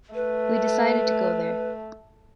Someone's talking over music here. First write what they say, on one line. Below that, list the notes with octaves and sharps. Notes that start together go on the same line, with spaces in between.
We decided to go there.
A3 B4